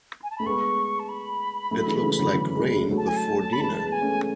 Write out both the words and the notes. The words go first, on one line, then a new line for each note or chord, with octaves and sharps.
It looks like rain before dinner.
G#5
A5
A3 B5
G#3 B3 C#6
A5
B5
F#3 A3
E3 G#3
C#3 E3
D3 F#3
C#3 E3
E3 G#3
A3
G#3
F#3 A3
A5
G#5
A5
B5
E3 G#3 A5
G#3 B3
G#5
A3 C#4